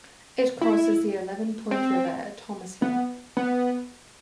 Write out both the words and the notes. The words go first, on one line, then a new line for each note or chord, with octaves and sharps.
It crosses the Eleven Point River at Thomasville.
E4
C4
B3
B3